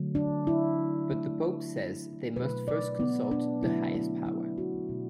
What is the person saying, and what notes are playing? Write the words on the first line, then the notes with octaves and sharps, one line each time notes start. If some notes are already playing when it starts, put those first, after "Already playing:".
But the Pope says they must first consult the highest power.
Already playing: D3 F#3 A3
D4
E4
D3 F#3 A3
B2 F#3 A3 B4
D5
B3
D4
D3 F#3 A3 E4
E4
E4
F#4
B2 A3